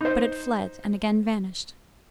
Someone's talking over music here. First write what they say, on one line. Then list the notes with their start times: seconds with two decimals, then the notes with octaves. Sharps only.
But it fled, and again vanished.
0.01 D#4 C5